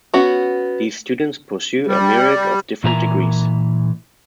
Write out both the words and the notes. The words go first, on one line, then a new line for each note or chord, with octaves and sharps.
These students pursue a myriad of different degrees.
B3 C#4 F#4
G3
A#2 E3 E5 G#5 A#5